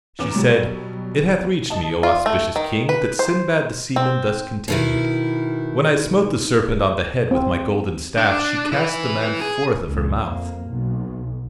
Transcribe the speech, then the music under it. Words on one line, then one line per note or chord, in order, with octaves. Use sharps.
She said, It hath reached me, O auspicious King, that Sindbad the Seaman thus continued:--When I smote the serpent on the head with my golden staff she cast the man forth of her mouth.
E2 B3 C#4 A#5 D6 E7
B2 F#3 G3
D#5 A5
F4
A3
D#3
B4
C5
C4
B2 D#3 E4
C4
D4
E4 B4
G#4
C#2 A#2
F2 A#3
B1